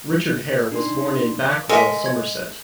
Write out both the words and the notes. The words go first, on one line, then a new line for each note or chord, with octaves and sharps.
Richard Hare was born in Backwell, Somerset.
D4 D#4 C6
F5
G#3 A4 A#4 D#5 E5
G#6